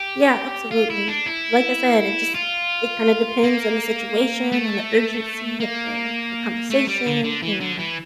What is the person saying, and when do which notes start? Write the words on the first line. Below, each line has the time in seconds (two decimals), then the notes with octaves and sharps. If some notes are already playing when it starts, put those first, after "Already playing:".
Yeah absolutely. Like I said, it just it kinda depends on the situation and the urgency of the the conversation, you know,
Already playing: G4
0.71 F4
0.90 E4
1.08 D4
1.26 E4
2.35 F4
3.43 A#3
4.52 A3
5.60 A#3
6.70 A3
6.88 G3
7.06 D3
7.24 D3
7.43 E3
7.60 D3
7.78 E3